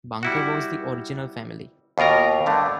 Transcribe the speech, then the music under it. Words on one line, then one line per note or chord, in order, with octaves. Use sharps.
"Bunker" was the original family.
G3 E4 F#4
D#2 B2 F4 A#4 A#5
G2 D3 A3